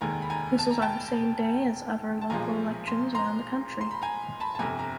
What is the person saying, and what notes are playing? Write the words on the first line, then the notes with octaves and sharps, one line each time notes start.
This was on the same day as other local elections around the country.
F1 D#2 D#3 G#3 G#5 A#5
B5
G#5 A#5
A5
A#5
G5 A5
A5
B1 A#2 F3 G#3 G#5 A#5
C6
A#5 C6
C6
B5
G#5 A#5
A5 B5
A5
G1 F2 C3 G#5 A#5
A#5